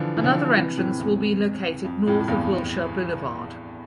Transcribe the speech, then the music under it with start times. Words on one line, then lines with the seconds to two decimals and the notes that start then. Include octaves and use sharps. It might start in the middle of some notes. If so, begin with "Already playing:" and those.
Another entrance will be located north of Wilshire Blvd.
Already playing: D3 E3 F3 B3 D4
0.17 E3
0.23 D3 F3
0.56 C3 E3
0.77 A2 C3
1.00 E2
1.85 F2
2.06 F2 A2
2.20 A2
2.28 E2 G2